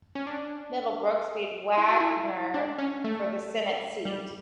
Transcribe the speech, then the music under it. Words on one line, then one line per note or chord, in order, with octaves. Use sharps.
Middlebrooks beat Wagner for the senate seat.
C#4
D4
E4
F#4
E4
D4
C#4
A3
G3